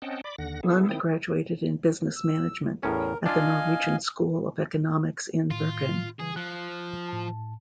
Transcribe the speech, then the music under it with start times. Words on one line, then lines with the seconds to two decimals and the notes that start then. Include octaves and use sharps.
Lund graduated in business management at the Norwegian School of Economics in Bergen.
0.02 C4 C#4 D#5 F#5 G5 A5
0.24 D5 B5 D6
0.38 D#2 D3 F#5 A#6
0.63 B3 E4 G#4 A4
0.89 D#3 C4 E4 G5 D#6
2.16 E6
2.83 E2 A2 C#4 A#4
3.26 D4 F4 D#5 F5 G#5
5.51 A2 D#3 F4
6.19 C#3 E3 G3 G#4
6.36 F3 F#6
7.08 A2 A5